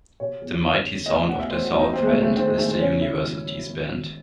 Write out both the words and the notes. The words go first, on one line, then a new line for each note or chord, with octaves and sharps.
The Mighty Sound of the South Band is the university's band.
C3 C#5
E2
D#3
D#3
A1 D#5
A1 F#5
E5
A1 C5
F#4
A1
D#4
D#2 C4
G#3
A3
D#2
A3
D#3 C4
G#3
D#3 A3
C4
C#3 C#4
G#1 E4
G#1
F#2
G#1
G#1